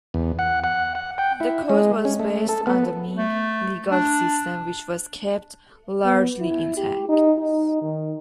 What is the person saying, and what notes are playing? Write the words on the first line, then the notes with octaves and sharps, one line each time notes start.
The code was based on the Ming legal system, which was kept largely intact.
E2
F#5
F#5
F#5
G5
E4
G#3
C#4
A3
A4
B3
A3
D4
B3
E4
G4
D#4
D#4
D#3